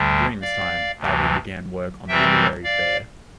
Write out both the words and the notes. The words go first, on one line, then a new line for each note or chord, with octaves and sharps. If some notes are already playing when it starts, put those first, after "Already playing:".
During this time, Fabbri began work on "The Literary Fair".
Already playing: D2 D3 G3
D5 F5
D2 C3 E3
C3 E3 G3 C4 E5 G5
D5 F5